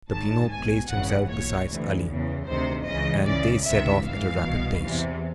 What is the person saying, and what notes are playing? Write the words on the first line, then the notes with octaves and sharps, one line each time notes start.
Peppino placed himself beside Ali, and they set off at a rapid pace.
G#1 G#2 D#3 A5
B1 B2 G#5
G#1 F#2 C#3 E3 F#5
B1 A#2 C#5
D2 C3 E3
E2 C#3 E3
D2 C3 D#3 C5
C#2 C#3 E3 D#5
C#2 C#3 E3 D5
C#2 C3 D#3 E5
G#1 G#2 E3 F5
C2 B2
E2 C3 E3